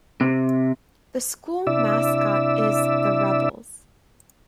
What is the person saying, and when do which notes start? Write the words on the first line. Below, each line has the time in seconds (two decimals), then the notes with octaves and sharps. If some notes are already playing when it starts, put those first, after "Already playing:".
The school mascot is the Rebels.
0.21 C3
1.67 C3 D4 E4 D5 E5 E6